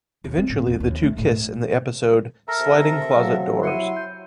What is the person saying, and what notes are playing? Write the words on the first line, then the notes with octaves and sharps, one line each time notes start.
Eventually the two kiss in the episode "Sliding Closet Doors".
D#2
C4
A2
E2
D#2
A3
A2
A4 A#4 E5 A#5 F6 A#6
C3
F#3 G#4 F5
E4 C6 F#6 C#7 D#7
G6